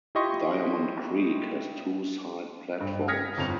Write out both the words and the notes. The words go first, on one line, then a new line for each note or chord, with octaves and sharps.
Diamond Creek has two side platforms.
E4 F4 G4 D#5 C6 C#6
G2
D#6 F6 G#6 A#6 B6 C#7
G1 F2 F7